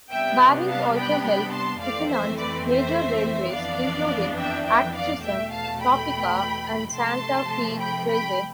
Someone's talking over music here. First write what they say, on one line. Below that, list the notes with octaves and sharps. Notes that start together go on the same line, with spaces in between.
Barings also helped to finance major railways including Atchison, Topeka and Santa Fe Railway.
C3 G3 B3 D4 E5 G5
F5 A5
G5 B5
G5 B5
A5 C6
F2 E3 A3 C4 D5 F5
C5 E5
B4 D5
C5 E5
F2 E3 B3 D4 D5 F5
E5 G5
E5 G5
D5 F5
E2 B2 A3 E5 G5
F5 A5
G5 B5
C3 F3 A3 A5 C6
G5 B5
G5 B5